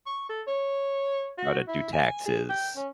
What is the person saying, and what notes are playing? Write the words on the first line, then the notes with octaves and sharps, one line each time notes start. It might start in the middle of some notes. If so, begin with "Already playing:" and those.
How to do taxes.
C#6
A4
C#5
F#4
E4
G#5
G#4
G5
C#4